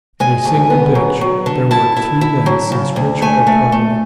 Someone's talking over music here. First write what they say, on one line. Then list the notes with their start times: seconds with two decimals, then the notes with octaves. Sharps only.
At a single bench there worked three men since rich or prominent.
0.20 G#3 G#5
0.45 D2
0.70 B3
0.95 F#3
1.21 F#3
1.46 D3
1.71 E4 A5
1.97 E4
2.21 E4
2.46 F#3
2.72 C#3
2.96 D2
3.22 A3 G#5
3.47 A3
3.72 A3